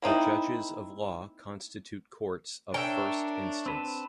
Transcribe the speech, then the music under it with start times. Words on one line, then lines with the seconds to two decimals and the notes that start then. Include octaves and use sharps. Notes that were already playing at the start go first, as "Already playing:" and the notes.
The judges of law constitute courts of first instance.
0.02 A#3 C4 D#4 E4
2.74 D4 A#4 C#5 E5 G5
3.66 C4 B4 A5